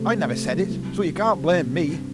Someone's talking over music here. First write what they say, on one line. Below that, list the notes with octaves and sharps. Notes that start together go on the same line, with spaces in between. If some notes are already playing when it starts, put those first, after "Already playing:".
"I never said it--so you can't blame me."
Already playing: C3 A3
C3
F#3
C2
G3
C4
C3
G2